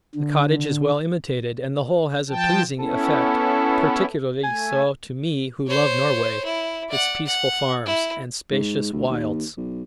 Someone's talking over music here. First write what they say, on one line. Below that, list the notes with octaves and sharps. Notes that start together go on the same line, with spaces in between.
The cottage is well imitated, and the whole has a pleasing effect, particularly so to me who love Norway--its peaceful farms and spacious wilds.
D3
F3 G5 A5
B3 C#4 E4 A4
A3 G#5
C5 C#5
E4
D5 F#5
F#5
E4
G#2
D2
D#2
B1